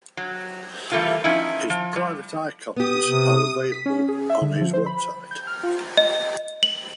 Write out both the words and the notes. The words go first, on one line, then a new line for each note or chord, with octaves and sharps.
His Private Eye columns are available on his website.
F#3
E3 G3 A3 A#3 F4
F3 C#4 D#4 E4
F3
G3
B3 G4 D#6
C3
B6
C#4
G#4
E5
D3
F3
C5
B5
G6
F6
F4
D#5
F#7